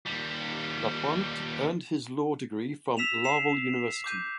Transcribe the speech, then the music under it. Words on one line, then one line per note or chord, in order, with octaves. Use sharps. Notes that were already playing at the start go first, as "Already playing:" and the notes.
Lapointe earned his law degree from Laval University.
D#2 G3
E6 B6 E7 F7
C7 E7
D6 G6 D#7